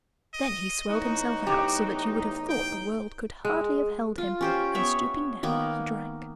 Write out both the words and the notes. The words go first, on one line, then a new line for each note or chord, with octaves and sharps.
Then he swelled himself out so that you would have thought the world could hardly have held him, and stooping down he drank.
D#5
E2 A2 D#4 F#4
G4
G5
G#3
F4
C#4 G4 C5
B3 C#5 E5
D#3 A#3 B3